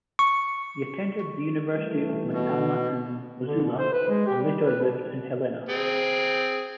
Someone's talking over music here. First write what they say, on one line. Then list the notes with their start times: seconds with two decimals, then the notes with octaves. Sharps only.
He attended the University of Montana in Missoula and later lived in Helena.
0.19 C#6
1.73 E3 G3 A3
2.34 B2
3.47 D3
3.64 B2
3.78 C5
3.93 B4
4.09 G#3
4.27 G4
4.41 G3
4.65 B4
4.81 B2
5.69 C4 G#4